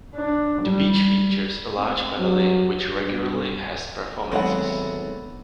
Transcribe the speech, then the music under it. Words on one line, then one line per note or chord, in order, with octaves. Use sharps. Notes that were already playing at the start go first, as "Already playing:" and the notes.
The beach features a large pavilion which regularly has performances.
D4
G3
C4
F#3
G2
G#1 D2 F#3 G#3 B3 D4 E4 F#5